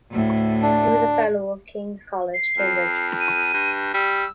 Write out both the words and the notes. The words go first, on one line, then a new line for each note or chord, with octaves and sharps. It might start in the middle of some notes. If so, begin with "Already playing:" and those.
He was a fellow of King's College, Cambridge.
D2 A2
D4
C7
F2
D#7
G2
G3 E6